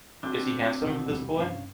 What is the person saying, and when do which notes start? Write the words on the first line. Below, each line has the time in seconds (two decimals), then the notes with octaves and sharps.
Is he handsome, this boy?
0.23 C4 D4 F#4 E5
0.84 C2 B2
1.09 D#2 G3
1.39 C2 G2 C#4 F5